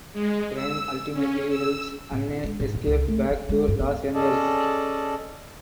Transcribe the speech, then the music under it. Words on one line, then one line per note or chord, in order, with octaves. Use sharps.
Grime ultimately helps Anne escape back to Los Angeles.
G#3
E6
C#4
E6
A2
E4
G#3
G#2
G1
C#2
A3
D4
G#3
G2
B3
C#4 G#4 A4 D5 D#5 A5